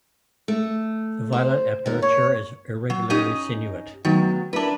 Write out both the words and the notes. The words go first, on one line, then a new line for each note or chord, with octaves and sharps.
The violet aperture is irregularly sinuate.
A3
C5
D#2 A#4
A#2 C#5
F#3
C#4 D#4 G4 D#5
D#3 F#3 A3 B3
D4 E4 A#4 B4